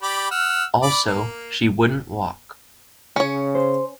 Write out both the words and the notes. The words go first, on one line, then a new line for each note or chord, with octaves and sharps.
Also, she wouldn't walk.
G4 D5 B5
F#5 E6 F6
D5 B5
A#3
C#3 C#4 C#5
C5